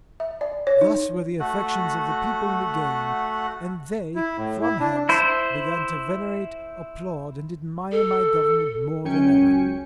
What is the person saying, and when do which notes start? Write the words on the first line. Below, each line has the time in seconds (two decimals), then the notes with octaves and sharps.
Thus were the affections of the people regained; and they, from hence, began to venerate, applaud, and admire my government more than ever.
0.20 E5
0.41 D5
0.67 C#5
0.81 D#4
1.40 A3 F#4 F#5
4.16 E4
4.37 A2
4.62 E4
4.80 D4
5.09 E4 C5
7.92 A4
9.05 C#2 F#2 C#4 G5 G#5 C#7